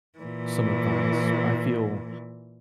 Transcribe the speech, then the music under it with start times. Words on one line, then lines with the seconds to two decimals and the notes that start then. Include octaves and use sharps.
some advice, I feel
0.19 A#2 E3